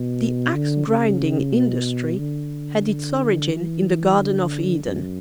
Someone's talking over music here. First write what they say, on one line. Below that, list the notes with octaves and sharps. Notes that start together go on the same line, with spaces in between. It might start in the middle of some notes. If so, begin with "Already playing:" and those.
The axe-grinding industry had its origin in the Garden of Eden.
Already playing: B2
D3
C#3
B2
D3
E3
D3
F#2